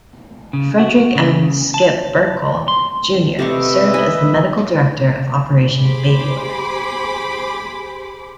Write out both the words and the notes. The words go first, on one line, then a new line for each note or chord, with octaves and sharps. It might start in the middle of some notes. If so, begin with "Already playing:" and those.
Frederick M. "Skip" Burkle, Junior served as the medical director of Operation Babylift.
C#3
F#4
C#3
A5
C6
C3 A3 B4 D#5 E5 C#6
D#4 G#5 B5
G4 G#4 C5 B5 C6 D6